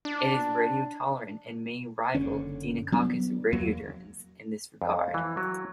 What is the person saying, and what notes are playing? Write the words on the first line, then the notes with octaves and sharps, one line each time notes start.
It is radiotolerant and may rival "Deinococcus radiodurans" in this regard.
D4
F#1 D3 C#4
F#3 B3 D4
E2 F#3 A#3
F2
E3
F#3